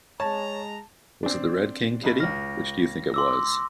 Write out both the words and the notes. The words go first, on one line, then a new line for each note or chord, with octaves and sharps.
Was it the Red King, Kitty? Which do you think it was?
G#3 C#5 A5 A#5
C4 D4
B1 B2 B5
C#2 F6 A#6
C6 D6 E6